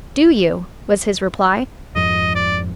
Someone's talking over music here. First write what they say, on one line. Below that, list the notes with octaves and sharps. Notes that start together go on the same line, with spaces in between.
"Do you?" was his reply.
F2 G#2 F3 D#5
D5